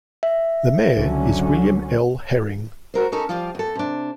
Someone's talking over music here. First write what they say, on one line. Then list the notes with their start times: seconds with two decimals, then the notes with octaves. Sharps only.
The mayor is William L. Herring.
0.23 E5
0.98 C#2 D3 F#3 C#4
2.94 F#4 A#4 C5
3.12 C#4 D#4 A4 A#4 C#5
3.29 F3 G3 F4 D5
3.55 E2 A4
3.75 C3 D4